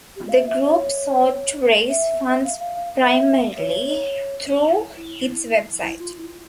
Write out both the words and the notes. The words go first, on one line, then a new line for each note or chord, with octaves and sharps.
The group sought to raise funds primarily through its website.
G4
F4
F5
E5
E5
C#5
E5
F5
F5
E5
C#5
E4
E4
E4
F4
E4